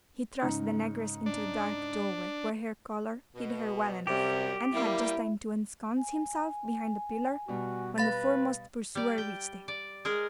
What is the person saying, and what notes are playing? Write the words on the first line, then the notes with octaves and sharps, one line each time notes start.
He thrust the negress into a dark doorway, where her colour hid her well enough, and had just time to ensconce himself behind a pillar, when the foremost pursuer reached him.
G#2 C#3 D#4
D4
B2
F#2 C3 G3 G4
G3 A#3 E4
G#5
B2 G3 F#4
B4 F5 B5 A6
G3 D5
G5
D5
G#3 G#4 A#4